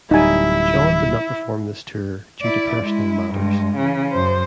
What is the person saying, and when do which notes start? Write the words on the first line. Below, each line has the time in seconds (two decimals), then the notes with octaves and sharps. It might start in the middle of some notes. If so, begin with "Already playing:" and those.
John did not perform this tour due to personal matters.
0.11 D1 G3 D#4 E4 G#5
2.41 E4 D5
2.83 G#3 E4
3.31 G2 G#3
3.76 C#3 E3
4.10 F#2 C5